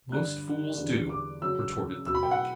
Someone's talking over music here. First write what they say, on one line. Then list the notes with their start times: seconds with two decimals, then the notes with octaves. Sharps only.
"Most fools do," retorted Thorndyke.
0.12 G2 D3 G3 F#6
0.77 E2 D3 G3
1.09 D6
1.42 F#2 C#3 F#3 E6
2.06 B2 F#3 E6
2.15 B5
2.23 G5
2.31 F#5